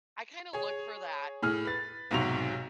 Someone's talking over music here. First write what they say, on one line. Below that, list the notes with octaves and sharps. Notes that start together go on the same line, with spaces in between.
I kinda look for that
G#4 C#5
A2 G#4 F6
B4 A6
B1 G#2 C3 F#4 C#6 F7